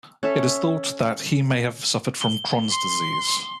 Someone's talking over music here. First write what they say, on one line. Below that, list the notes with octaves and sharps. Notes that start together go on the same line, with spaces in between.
It is thought that he may have suffered from Crohn's disease.
C#4 A4 E5
G7
C6